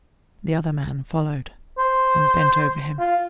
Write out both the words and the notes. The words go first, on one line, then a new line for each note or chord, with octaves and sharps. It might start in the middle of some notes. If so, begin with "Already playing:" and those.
The other man followed, and bent over him.
C5
F4